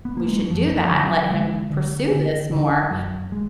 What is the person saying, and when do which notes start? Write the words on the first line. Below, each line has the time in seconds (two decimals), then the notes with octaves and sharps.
we should do that and let him pursue this more."
0.05 B3
0.17 A#3
0.28 G#3
0.39 F#3
0.50 F#2 F3
0.77 F3
0.90 D3
1.03 F#3
1.30 D3 G#3
1.70 D3
2.11 D3
2.51 D3
2.91 F#2 F#3
3.32 G#3